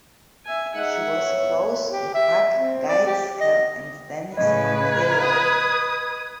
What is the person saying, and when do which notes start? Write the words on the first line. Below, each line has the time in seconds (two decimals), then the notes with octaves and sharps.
She was close to Hugh Gaitskell and Denis Healey.
0.45 E5 G#5
0.74 G#3 D#4 E5 F#5
1.17 A2 B3 C#5
1.91 G4
2.14 E5
2.55 C4
2.89 D5
3.06 G4
3.40 D#5
4.37 A2 C#3 B4 D#5 G#6
5.23 D#6